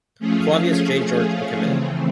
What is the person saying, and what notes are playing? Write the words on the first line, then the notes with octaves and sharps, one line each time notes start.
Flavius J. George in command.
F3 A3 C#4 F4 G#4
C#3 E3 A3 C4